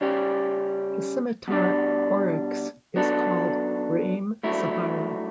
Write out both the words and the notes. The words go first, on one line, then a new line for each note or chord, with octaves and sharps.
The scimitar oryx is called "re'em Sahara".
C#3 G3 C#4 G4
B2 G3 D4
F#3 B3 D4 A4
G2 F#3 A3 E4